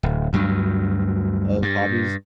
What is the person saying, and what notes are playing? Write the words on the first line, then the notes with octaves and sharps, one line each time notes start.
of hobbies.
D1
D2 G2 F#3
G2